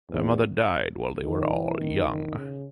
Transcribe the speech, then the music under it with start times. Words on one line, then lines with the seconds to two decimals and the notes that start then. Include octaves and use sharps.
Their mother died while they were all young.
0.09 E2
1.22 D#3
1.52 E3
1.80 D#3
2.09 D#3
2.37 C#3